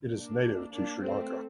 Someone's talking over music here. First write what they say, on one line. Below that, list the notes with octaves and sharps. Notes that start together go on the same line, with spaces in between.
It is native to Sri Lanka.
A#3 D4
A#3 D4
A3 C4